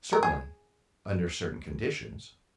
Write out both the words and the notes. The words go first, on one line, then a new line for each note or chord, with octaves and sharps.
"Certainly, under certain conditions."
A#4
G#4